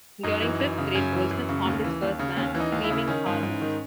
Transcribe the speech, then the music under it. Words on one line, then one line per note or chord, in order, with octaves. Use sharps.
During fifth grade, Goldsmith formed his first band, Screaming Hormones.
F#2 D#4
E3
F#2
C#3
F#2 C#4
E3
F#2
C#3
D#2
E3
D#2
C#3
D#2 C#4
E3
D#4
D#2
E4
C#3
D#3 C#4
G#2
G#2
D#3